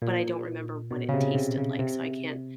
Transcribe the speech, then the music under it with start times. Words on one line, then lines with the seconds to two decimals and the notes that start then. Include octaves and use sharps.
but I don't remember what it tasted like, so I can't
0.02 A#2
0.91 B2
1.09 C#3
1.14 C3
1.35 C3
1.58 C#3
1.79 C3